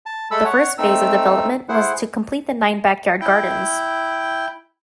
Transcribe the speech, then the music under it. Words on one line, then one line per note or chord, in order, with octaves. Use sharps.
The first phase of development was to complete the nine Backyard Gardens.
A5
G#3 A3 A4 B5 E6
C#5 F#5
A3 C4 D#4 E6
E4 G#4 C5 F#5
E4 G5